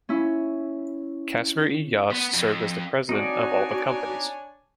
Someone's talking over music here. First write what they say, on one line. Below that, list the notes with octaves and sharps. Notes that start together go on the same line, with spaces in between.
Casper E. Yost served as the president of all the companies.
C#4 E4
B3
F2
C4 D4 D#4 F#4 C#5 D5 G#5